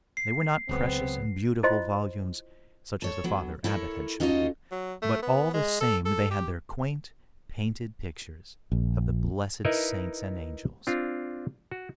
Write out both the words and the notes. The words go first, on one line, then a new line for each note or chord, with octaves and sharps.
They were not precious and beautiful volumes, such as the Father Abbot had showed him, but all the same they had their quaint painted pictures of the blessed saints and angels.
C7
C#2 C#3 F#3 B3 C4
E4 F4 C5 D#5 C6
A4 C#5
D2 F#3 B3
E4 A4 A#4 C#5
C#4 D#4 F4 F#4 A4 D#5
F#3
A3
B3
G#3
A4
A4
G4
A#1
D#4 E4 A#4 B4 D#5 E5
C4 D4 F4
F#4